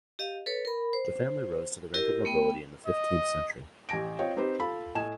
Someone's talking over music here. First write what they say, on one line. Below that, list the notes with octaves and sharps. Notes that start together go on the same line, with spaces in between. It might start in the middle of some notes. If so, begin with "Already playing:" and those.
The family rose to the rank of nobility in the fifteenth century.
G4 D#5 F5
A4 B4 C#5
A#4 B5
C5
E4 G4 A#4 D#5
A3 B3 G5
D#5
A1 G4 G#5 A#6 D7
C4 F4 C#5 D#5 G5
C4 D#4 G4 B4 C5
F4 A4 B5
A2 D#5 G#5 E7